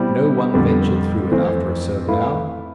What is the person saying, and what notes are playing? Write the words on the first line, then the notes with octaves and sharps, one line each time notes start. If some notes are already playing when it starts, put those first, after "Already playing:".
No one ventured through it after a certain hour.
Already playing: B2 G3 C4 E4
F2 D3 G3 B3
F2 E3 A3 C4
A3 E4 B4 F5